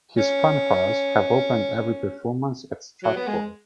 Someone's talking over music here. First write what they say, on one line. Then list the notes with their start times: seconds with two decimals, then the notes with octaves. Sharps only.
His fanfares have opened every performance at Stratford.
0.18 C#4
3.03 F#3
3.16 B3
3.27 G#3